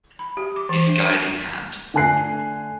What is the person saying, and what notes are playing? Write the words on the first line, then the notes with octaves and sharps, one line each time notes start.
His Guiding Hand.
B5
G4
D6
E3
D4
D3 A3 G#5 F#6 C7